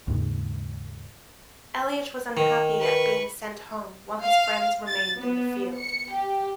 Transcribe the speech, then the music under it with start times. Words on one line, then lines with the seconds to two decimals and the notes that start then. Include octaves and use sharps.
Elliott was unhappy at being sent home while his friends remained in the field.
0.08 D#2 G#2 C#3
2.37 D#3
2.79 B4 C#6
4.24 F5
4.87 A6
5.21 B3
5.78 C#7
6.12 G4